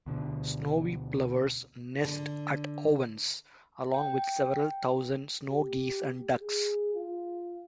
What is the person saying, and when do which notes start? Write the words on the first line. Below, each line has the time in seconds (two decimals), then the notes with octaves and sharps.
Snowy plovers nest at Owens along with several thousand snow geese and ducks.
0.06 D2 B2 D3
2.04 D3
3.94 G5
5.49 G4
6.40 G#4
6.94 F4